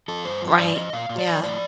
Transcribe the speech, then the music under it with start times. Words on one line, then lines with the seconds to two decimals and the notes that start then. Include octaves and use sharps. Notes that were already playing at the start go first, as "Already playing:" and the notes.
Right, yeah.
0.08 F3 A4
0.24 G2 C5
0.42 F3
0.59 G2 D5
0.75 F3 D#5
0.93 A#2 F5
1.09 A#2
1.19 D5
1.27 F3
1.44 A2 D5